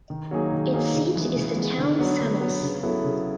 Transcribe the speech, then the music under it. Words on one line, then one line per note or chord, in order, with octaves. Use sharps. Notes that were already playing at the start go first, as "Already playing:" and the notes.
Its seat is the town Samos.
D#3
F#3 A#3 D#4 G#4
D#3
F#3 A#3 D#4 G#4
C#3
E3 G#3 B3
C#3
E3 G#3 B3
D3
F#3 B3
D3
F#3 B3
C#3
F#3 B3 E4 A4
C#3